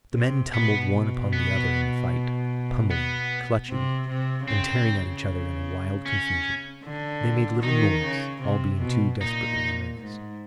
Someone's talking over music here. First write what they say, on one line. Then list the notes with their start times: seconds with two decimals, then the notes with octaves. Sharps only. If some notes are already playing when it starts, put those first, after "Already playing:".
The men tumbled one upon the other in the fight, pummelling, clutching, and tearing at each other in a wild confusion. They made little noise, all being too desperately in earnest.
0.14 C3
0.54 B2 B3
1.33 B3
2.91 B3
3.69 C3
4.09 C3
4.48 C#3 C4
6.06 C#4
6.84 D3
7.63 D#3 D#4
8.03 C#3
8.42 C3
8.81 B2
9.20 A#2 D#4
9.99 G#2